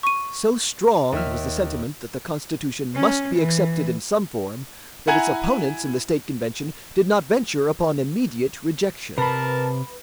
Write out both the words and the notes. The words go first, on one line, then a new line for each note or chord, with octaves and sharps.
So strong was the sentiment that the Constitution must be accepted in some form, that its opponents in the state convention did not venture upon immediate rejection.
C#6 D#7
D#2 E5 F6
C#4
E3
E4 F#5 G#5 A#5 G#6
C3 A#4 B4 A5 B5